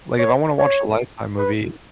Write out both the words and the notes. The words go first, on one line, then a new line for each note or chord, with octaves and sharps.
Like, if I wanna watch a Lifetime movie,
C#5
C#5
B4